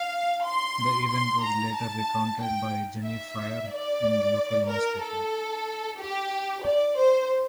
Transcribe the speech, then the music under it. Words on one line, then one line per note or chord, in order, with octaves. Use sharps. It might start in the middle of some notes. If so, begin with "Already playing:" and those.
This event was later recounted by Jenny Frye in a local newspaper.
Already playing: F5
C6
C6
A#5
A5
G5
E5
D5
A#4
A4
G4
D5
C5